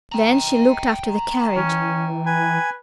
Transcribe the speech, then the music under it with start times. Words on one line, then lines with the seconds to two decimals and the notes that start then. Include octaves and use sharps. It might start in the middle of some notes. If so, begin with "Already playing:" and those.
Then she looked after the carriage.
0.12 G5 A#5
1.56 E3 C#4
2.26 B4 G#5